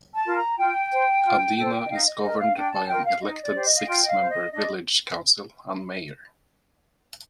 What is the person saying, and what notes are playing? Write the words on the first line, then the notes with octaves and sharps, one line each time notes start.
Adena is governed by an elected six member village council and Mayor.
A5
F4 A#4
A#5
F4 G5
C5
F4
A4 C5
D#5
D#4 F5
D#5
A#4 D#5
F5
D4 G5
A5
F4 A#4 G5
F5
D#4 D#5
D5
G4 C5
D#5
F5
F4 G5
D#5
F5
C5
D#5
D4 D#5